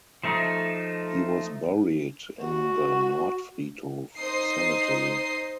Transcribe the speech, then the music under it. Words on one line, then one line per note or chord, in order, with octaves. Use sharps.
He was buried in the Nordfriedhof cemetery.
F3 A3 D#4
F#4
D#4 C5 D#6 C7